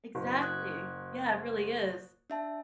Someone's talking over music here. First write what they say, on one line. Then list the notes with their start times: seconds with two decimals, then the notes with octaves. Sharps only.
Exactly. Yeah, it really is.
0.15 F#1
0.41 D#6 F#6 G#6
2.30 D4 E5 A5